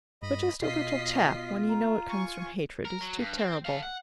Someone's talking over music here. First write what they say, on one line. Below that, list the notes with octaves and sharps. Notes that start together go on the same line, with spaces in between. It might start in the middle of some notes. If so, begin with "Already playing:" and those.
But just a little tap, when you know it comes from hatred, is too terrible.
G2 D#5 B5
B2 F4 D#5 B6 C7
A#5
G#5 C#6
A#4
F#3
G2
C4
A4 F5
F#5